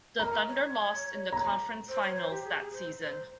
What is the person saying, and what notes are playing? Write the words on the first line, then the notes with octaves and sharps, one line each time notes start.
The Thunder lost in the conference finals that season.
A#4 A#5
C#5
A#5
C5
C#5
C5
G4
G#4
G4
G#4
C5
C5